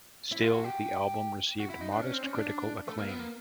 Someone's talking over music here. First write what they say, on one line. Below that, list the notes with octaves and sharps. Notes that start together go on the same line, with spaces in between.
Still, the album received modest critical acclaim.
E4
F4
F#4
G4
F#4
E4
D#4
D4
C#4
C4
C#4
D4
A3
A#3
B3
A#3